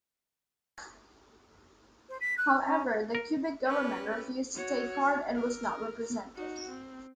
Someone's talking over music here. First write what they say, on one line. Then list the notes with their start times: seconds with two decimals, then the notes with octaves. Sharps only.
However, the Quebec government refused to take part and was not represented.
2.09 C5
2.20 B6
2.38 F#6
2.66 C#4
3.15 A#4
3.65 C#4 G4 B4
4.55 F#4 C#5
5.34 A#4
6.35 D#4 F#4
6.68 C4